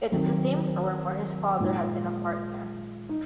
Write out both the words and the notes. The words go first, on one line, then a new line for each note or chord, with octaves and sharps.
It was the same firm where his father had been a partner.
D#3 F#3 C4
A#2 G#3 D#4
D#4